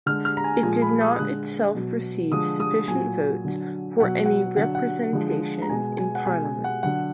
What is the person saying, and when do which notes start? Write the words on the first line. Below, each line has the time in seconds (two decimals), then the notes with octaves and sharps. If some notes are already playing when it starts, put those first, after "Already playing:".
It did not itself receive sufficient votes for any representation in Parliament.
0.06 D3 G#3 F6
0.25 F6
0.37 A#5
0.44 G#5
0.62 A#2 F3 G#3 G#5
0.82 B5
1.01 D#6
1.19 D3 G#3 F#6
1.75 B2 F#3
2.32 D3 F3 G#3 D#6
2.60 D#6
2.88 A#2 F#3 G#5
3.45 D3 F#3
4.00 B2 F#3 F#5
4.26 F#5
4.57 D3 F#3 F#5
4.75 F#5
5.13 D3 F3 G#3
5.62 A#5
5.70 B2 G#3 G#5
5.98 G#5
6.15 F#5
6.26 B2 G#3 G#5
6.45 G#5
6.64 F#5
6.83 D3 F#3 F#5